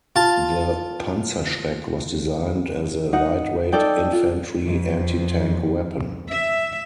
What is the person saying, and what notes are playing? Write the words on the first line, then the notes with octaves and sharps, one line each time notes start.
The Panzerschreck was designed as a lightweight infantry anti-tank weapon.
F4 A5
D#4 F#5
D#4 A4 D5 G5
F4
F2
E5